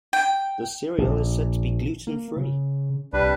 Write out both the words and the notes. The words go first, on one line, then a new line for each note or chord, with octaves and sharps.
The cereal is said to be gluten free.
G5
A#1
A#3
C#3
C2 G3 D4 B4